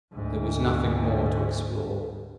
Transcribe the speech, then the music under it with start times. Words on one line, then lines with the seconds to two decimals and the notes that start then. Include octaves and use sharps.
There was nothing more to explore.
0.13 D2 G#2